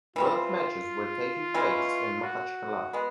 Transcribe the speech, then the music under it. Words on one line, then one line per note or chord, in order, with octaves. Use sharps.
Both matches were taken place in Makhachkala.
E3 G3 C4 F4
E3 G#3 C#4
F#4
G#3 B3